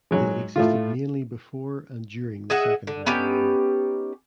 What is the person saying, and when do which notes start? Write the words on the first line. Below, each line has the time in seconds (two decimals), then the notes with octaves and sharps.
They existed mainly before and during the Second World War.
0.11 G#2 F#3 G#3
0.56 A2 A3 F4
2.50 G#4 D#5 E5 F#5
2.87 D3
3.06 B3 C#4 D#4 G4